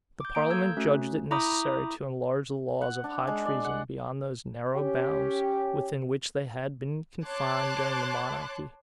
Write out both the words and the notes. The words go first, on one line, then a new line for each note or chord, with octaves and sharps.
The parliament judged it necessary to enlarge the laws of high treason beyond those narrow bounds within which they had been confined during the monarchy.
D6 G6
A#3 A#5 G6 D7
A4 E6 G6 G#6
A3 C#4 F#4
E4 A#5 B5 D6 D#6 G6
F#5
D4
G#3
D5
F#5
C#4 G4
C#5 A5 C6 D6 F#6 A6